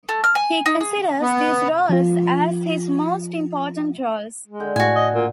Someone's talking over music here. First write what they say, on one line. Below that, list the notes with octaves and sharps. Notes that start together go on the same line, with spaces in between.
He considers these roles as his most important roles.
A3
F6
G#5
D#4
G#4
B3
F3 F4
G#3
D3 G5
A2 F#4 G#5
D#5
A#2